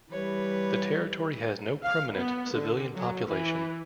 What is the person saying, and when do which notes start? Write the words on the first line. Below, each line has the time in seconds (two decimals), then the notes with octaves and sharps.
The territory has no permanent civilian population.
0.12 E3 G3 G4 B4 C#5
1.83 F5
2.14 B3
2.54 D3
2.94 F#3
3.27 E3